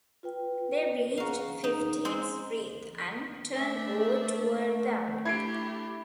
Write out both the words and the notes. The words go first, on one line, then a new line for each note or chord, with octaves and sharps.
They reached Fiftieth Street and turned over toward the Avenue.
F4 B4 G5
C#4 F#4 G#4 F5 A#5
D#4
G#3 C4
A3 D4 E5
D4 E4 G4 G#6 C7 D7